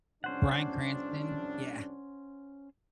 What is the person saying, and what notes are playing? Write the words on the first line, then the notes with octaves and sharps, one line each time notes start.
Bryan Cranston? Yeah,
C2 F2 C#4 D4 C5 F#5